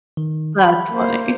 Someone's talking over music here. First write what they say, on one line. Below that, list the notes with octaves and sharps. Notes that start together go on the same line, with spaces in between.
That's funny.
D#3
B5
A#3 C5